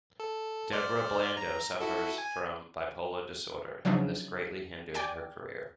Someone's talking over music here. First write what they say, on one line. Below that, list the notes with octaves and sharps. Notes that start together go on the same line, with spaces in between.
Deborah Blando suffers from bipolar disorder and this greatly hindered her career.
A4
C5 D5 F6
A#5
E4 F#4 A4
G#5
C#3 F3 F#3 D4 D#4
D5 G5 G#5